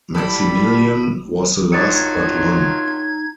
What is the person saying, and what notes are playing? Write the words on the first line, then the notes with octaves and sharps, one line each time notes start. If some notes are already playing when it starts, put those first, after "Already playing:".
Maximilien was the last but one.
G3 E4 A4 B5
G2 D#3 F#3 D#4 F4 G#6 A6 C#7